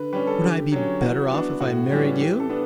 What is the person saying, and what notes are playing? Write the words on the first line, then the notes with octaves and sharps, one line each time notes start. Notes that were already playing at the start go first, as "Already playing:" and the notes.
"Would I be better off if I married you?"
Already playing: D3 B4
G3 C#4 B4
A4
D3 G4
F#3 C#4
E3 F#4
B3 D4
A2 F#4
E3 G3 C#4
E3 G4
A4
B3 D4